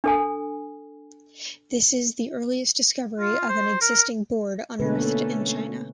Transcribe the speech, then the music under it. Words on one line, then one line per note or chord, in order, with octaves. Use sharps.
This is the earliest discovery of an existing board unearthed in China.
D4 A4 G#5
F4
C5
A#4
B2 D3 A3 A#3 C#4 B4